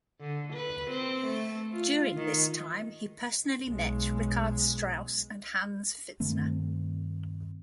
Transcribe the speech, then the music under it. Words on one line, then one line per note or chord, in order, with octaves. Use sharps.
During this time he personally met Richard Strauss and Hans Pfitzner.
D3
B4
C4
A3
F4
D#3
B1 G#3
G2 D#3 A3 C4